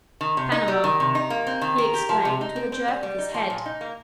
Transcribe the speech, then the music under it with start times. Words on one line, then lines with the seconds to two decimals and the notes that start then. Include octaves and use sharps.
"Panama!" he exclaimed, with a jerk of his head.
0.21 D#3
0.37 C3
0.52 D#4
0.68 G3
0.84 D#3
1.00 C3
1.15 D#4
1.30 A#3
1.47 C4
1.61 D#3
1.78 A#4
1.94 G4
2.09 F3
2.25 C3
2.41 D#4
2.56 C4
2.72 C4
2.88 G3
3.03 G3
3.18 D#4
3.34 F3
3.50 A#2
3.66 D#4
3.81 A#3